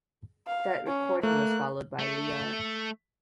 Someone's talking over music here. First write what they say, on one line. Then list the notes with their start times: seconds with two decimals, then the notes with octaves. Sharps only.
That recording was followed by Lea...
0.47 F5
0.87 C#4
1.23 A3 A#3 F#6
1.99 A3